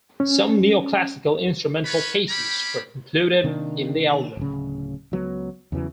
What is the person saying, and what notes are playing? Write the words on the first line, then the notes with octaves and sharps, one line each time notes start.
Some neoclassical instrumental pieces were included in the album.
C#4
F4 B4 C#5 B5
C4 C#4 G4 B5
C3 D#3 A#3 D4
D1 C#3
C#2 F#3 B3
E2 C#3 E3 F#3